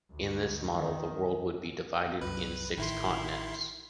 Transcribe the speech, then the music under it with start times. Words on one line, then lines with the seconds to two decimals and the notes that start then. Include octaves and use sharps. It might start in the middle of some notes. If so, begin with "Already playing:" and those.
In this model, the world would be divided in six continents.
0.12 D2
0.73 D#3
2.21 C2 F#2 B4
2.78 A1 D#3 E4 C6